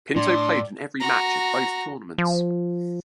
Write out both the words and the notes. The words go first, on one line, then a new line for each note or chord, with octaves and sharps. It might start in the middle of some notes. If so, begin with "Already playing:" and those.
Pinto played in every match at both tournaments.
A2 D4 D5 C6
F#4 A#5
F3